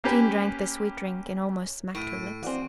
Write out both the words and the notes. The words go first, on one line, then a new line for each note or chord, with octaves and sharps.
Jean drank the sweet drink and almost smacked her lips.
A#3 C#4 G4 B4
A2 C#6 D7 D#7
E3 C4 F#4 D5 F5